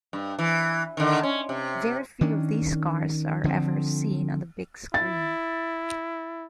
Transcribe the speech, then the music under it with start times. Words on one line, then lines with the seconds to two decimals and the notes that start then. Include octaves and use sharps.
Very few of these cars are ever seen on the big screen.
0.13 G2
0.39 E3
0.97 D3 D#3
1.23 C#4
1.49 C3
2.21 D#3 C#4 D4
3.44 D3 F3 A#3 C4
4.94 E4 A6